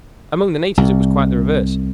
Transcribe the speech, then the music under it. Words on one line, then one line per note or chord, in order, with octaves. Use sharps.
Among the natives it was quite the reverse.
C2